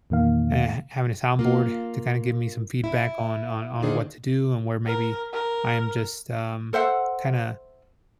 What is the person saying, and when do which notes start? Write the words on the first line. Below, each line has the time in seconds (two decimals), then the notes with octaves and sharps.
eh having a sound board to kinda give me some feedback on on on what to do and where maybe I am just, um, kinda,
0.10 E2 A#2 D#3 A#3 F5
1.39 A#3 F4
2.84 E4
3.82 D3 D#3 A#3 D4 G#4 C5
4.86 A#4
5.33 A#4
6.73 A4 C5 E5 F#5